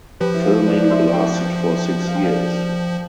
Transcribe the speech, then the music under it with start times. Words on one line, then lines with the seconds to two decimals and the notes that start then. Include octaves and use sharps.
Filming lasted for six years.
0.20 F3 G4 B4
0.34 E4
0.44 F4
0.67 B4 D5
0.80 D5
0.91 C5 E5
1.13 E5 G5
2.07 F5
2.15 G5
2.24 D5 F5